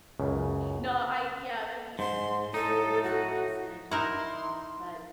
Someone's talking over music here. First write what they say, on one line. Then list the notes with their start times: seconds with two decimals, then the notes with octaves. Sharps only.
No, I yeah, uh, y it's really hard not to say I told you so, but
0.20 C#2 F#2 C#3
1.99 G#2 C6
2.54 A2 D#4 A4
3.03 F#4
3.91 D#4 E4 A#4 F#5 C6